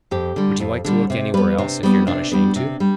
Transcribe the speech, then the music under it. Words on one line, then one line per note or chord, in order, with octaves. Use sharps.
"Would you like to look anywhere else if you're not ashamed to?"
F2 G4
D3 G3
F2
D3 G3
C3
G3 B3 B4
C3 D4
G3 B3
C3 D4
G3 B3
C3
G3